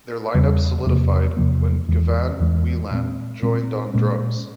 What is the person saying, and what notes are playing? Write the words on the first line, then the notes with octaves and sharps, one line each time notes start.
Their line-up solidified when Gavan Whelan joined on drums.
E2 C#3 G3
E2 C3 F3 A#3
E2 C3 F3 A#3
E2 E3 G#3
E2 E3 G#3
A#2 G#3 C4
A#2 G#3 C4
A#2 G#3 C#4